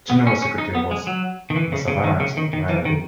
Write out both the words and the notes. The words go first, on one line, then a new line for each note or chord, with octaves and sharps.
General Secretary was Basavaraj Rayareddy.
B3
C#4
C#4
D#4
B3
G#3
F#3
D#3
E3
C#3
C#3
D#3
C#3
D#3
D#3
E3
D#3